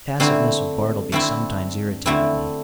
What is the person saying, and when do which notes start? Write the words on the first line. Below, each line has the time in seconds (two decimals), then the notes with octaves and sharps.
The passiveness of Bartleby sometimes irritated me.
0.20 D3 A3 C4 E4
1.12 D3 A3 C4 E4
2.06 D3 A3 C4 E4